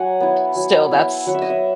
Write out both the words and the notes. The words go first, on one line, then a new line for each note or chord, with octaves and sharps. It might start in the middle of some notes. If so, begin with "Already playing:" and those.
still, that's
Already playing: F#3 F#5 G#5 A#5
B3 E4
F#3
B3 E4
F#3 F#5
E5
D#5
E5